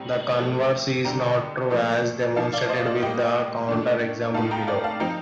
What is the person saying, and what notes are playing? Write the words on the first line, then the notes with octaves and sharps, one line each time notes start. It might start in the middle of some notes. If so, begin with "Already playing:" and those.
The converse is not true, as demonstrated with the counterexample below.
Already playing: A2 G3 C4 G5 A#5
C3 F3 A3
D3 G3 D4 G5 A#5
A#2 F3 A3
F3 A#3 D#4 F5 A5
D5 F5
C5 D#5
D5 F5
A2 G3 A#3 D#5 G5
D#3 A3 D4
A2 A3 D#4 F5 A5
G5 A#5
D5 F5
F5 A5
F3 C4 D#4 G5 A#5